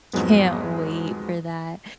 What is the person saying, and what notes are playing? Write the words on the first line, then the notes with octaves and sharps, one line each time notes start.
can't wait for that.
F2 G#2 F#3 G#3 B3